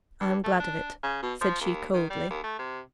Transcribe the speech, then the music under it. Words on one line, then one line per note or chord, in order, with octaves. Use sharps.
'I am glad of it,' said she, coldly.
G2
A3
D4
C#3
B2
F3
D#2
D#3
G3
D#2
A3
C3